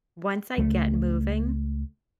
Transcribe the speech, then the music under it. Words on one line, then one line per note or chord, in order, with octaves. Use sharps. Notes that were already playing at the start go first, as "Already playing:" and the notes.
once I get moving,
C#2 A3